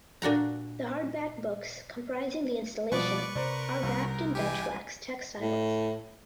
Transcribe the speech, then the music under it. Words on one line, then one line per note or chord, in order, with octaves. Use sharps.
The hardback books comprising the installation are wrapped in Dutch wax textiles.
A#2 D4 F#4 A#5
B2 F3 G3 G#3 A#3 B4 D5 C#6
C3 A#4 C5 D5
C2 A#4
E3 G4 G#5
A2